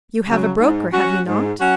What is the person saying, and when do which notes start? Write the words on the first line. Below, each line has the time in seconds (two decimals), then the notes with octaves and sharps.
"You have a broker, have you not?"
0.27 C#3 F#3
0.60 G#2
0.93 F#3 C#4 F#4
1.27 G#2
1.60 F#3 C#4 F#4